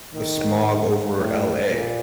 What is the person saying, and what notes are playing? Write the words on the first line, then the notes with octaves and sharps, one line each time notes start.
the smog over LA.
D#3
A2
A#2